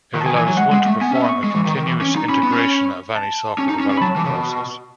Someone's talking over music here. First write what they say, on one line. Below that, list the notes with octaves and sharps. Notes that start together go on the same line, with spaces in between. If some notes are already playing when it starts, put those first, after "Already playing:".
It allows one to perform a continuous integration of any software development process.
D#3
A5
D#3 G#5
E3 G#5
F#3 G#5
G#3 F#5
G#3
A3
B3 G#5
C#4 E5
B3
C#6
G#3
E3
D#3
D#3
E3
C#4
D#4
C#4 B5
B3
C#4
A5
C#4
D#4
C#4
C#4
B5
F#3 A5
E3
C#3
B2